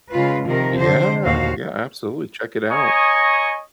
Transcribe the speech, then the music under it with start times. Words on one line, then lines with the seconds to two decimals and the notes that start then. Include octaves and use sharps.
Yeah, yeah, absolutely, check it out.
0.11 C#3 G#3 F4 B4
0.47 C3 D#3 F3 A#4
0.77 D3 C5
1.24 D#2 A#2 F#4 C5 F5
2.70 C#5 D#5 G#5 A#5 C#6 D#6